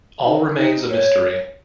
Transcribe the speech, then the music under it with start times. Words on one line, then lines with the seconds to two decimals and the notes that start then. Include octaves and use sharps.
All remains a mystery.
0.26 D#4
0.57 D#4
0.89 C#5